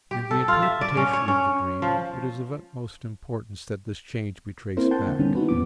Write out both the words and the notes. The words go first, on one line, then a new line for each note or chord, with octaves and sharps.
In the interpretation of the dream it is of utmost importance that this change be traced back.
G4
A4
F4
E5
D5
C#4
C#5
C#4
F3
A#3 C4 E4 A#4 C5
F#5 G5 A5 C6 G6
D3
D3 D#3 G3 A#3 B3 C#4
D#4 E4 F#4 B4
E2 A#2 F3 B3 D6